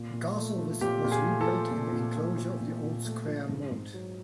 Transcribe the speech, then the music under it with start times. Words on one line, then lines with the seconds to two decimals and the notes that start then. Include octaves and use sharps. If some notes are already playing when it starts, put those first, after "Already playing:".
The castle was rebuilt in the enclosure of the old square moat.
Already playing: A#2
0.13 A#2
0.36 A3
0.58 F3
0.81 A#2 G4
1.04 A#2
1.12 G#4
1.25 A3
1.41 A4
1.48 F3
1.71 A#2
1.92 A#2
2.15 A3
2.38 F3
2.61 A#2
2.83 A#2
3.05 A3
3.27 F3
3.49 G#2
3.72 G#2
3.94 F#3